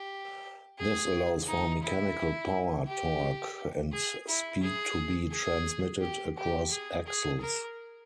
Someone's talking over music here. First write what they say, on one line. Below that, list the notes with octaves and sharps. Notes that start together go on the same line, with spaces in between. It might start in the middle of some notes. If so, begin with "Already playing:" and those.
This allows for mechanical power, torque, and speed to be transmitted across axles.
Already playing: G4
G#4
D#4
E4
G4
G#4
E4
G#4
G#4
G4
G4
G#4
G#4
A#4